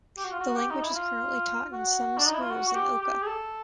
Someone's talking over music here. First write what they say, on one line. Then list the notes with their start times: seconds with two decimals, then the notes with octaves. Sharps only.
The language is currently taught in some schools in Oka.
0.17 G4
0.25 F#4
0.32 F4
0.39 F#4
0.56 G4
0.70 D#4
0.83 E4
0.95 F4
1.73 F#4
2.17 D4
2.25 D#4
2.33 E4
2.42 F4
2.50 F#4
2.69 F#4
2.75 G4
3.01 G4
3.22 G#4
3.27 A4